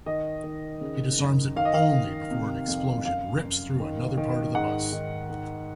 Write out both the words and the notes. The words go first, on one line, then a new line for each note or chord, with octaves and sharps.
He disarms it only before an explosion rips through another part of the bus.
D#3 D#5
D#3
C#3
F#2
D#3 F5
D#5
F5
D#3
C3
F2
F#2 F5
F#2
D#3
D#3
G#2 F#5
D#3
D#3